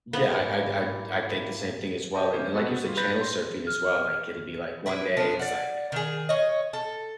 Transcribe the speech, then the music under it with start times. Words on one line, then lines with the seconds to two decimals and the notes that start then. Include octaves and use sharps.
Yeah, I'd I'd I'd think the same thing as well, and like you said, channel surfing as well, like, it'll be, like, one day it's, like,
0.13 A#3 B3 E4 F4 B4 C5 A#5 A#6
0.39 A1 G#2 G#5
2.14 G4 C5 D#5 G5 A5
2.33 C#4 D#4 G4 C5 C#5
2.54 B3 C4 F#4 A4 B4
2.85 G3 F4
2.97 B4 B5 G6 A6 A#6
3.17 C6 G6
3.67 F6
4.86 D4 E4 B4
5.17 F3 B3 D4
5.39 D5 F#5
5.92 D#3 G#4
6.29 C#5 D#5
6.73 A4